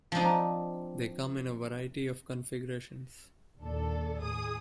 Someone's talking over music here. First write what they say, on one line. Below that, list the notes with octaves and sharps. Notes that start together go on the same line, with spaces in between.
They come in a variety of configurations.
F3 C4 D4 D#4
D#2 A#2 D4 A4
A2 G#4 D#6